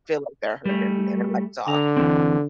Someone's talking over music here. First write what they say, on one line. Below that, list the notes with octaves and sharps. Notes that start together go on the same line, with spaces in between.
feel like they're hurt and and the lights off.
G3 A3
D3 A#5
E3 C4